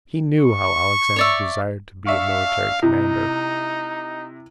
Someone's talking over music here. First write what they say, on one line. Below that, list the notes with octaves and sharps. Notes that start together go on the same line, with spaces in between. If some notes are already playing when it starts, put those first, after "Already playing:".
He knew how Alexander desired to be a military commander.
C#6
C#5 D5 E5
D4 E5 F5 C#6
C3 D#4 E4